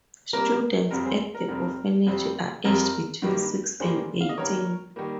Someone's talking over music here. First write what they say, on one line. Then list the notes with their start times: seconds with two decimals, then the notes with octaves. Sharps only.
Students at the orphanage are aged between six and eighteen.
0.33 C3 G3 A#3 A#4
0.91 F2 C3 G3 C4 A#4
1.05 G#4 C5
1.35 A#4
1.48 F2 C3 G3 C4 A#4
2.07 F2 C3 G3 C4
2.64 F2 C3 G3 C4 A#4
3.22 G2 D#3 G3 A#3
3.80 G2 D#3 G3 A#3 G#4 C5
4.21 F5
4.29 D#5
4.38 G2 D#3 G3 A#3 A#4 C#5
4.96 D#3 G3 A#3